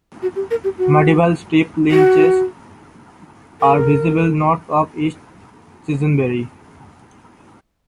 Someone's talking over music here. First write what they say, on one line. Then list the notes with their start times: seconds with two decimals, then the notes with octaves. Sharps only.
Medieval strip lynchets are visible north of East Chisenbury.
0.22 F#4
0.36 G4
0.51 A#4
0.64 G4
0.78 F#4
1.91 F#4
3.61 A#4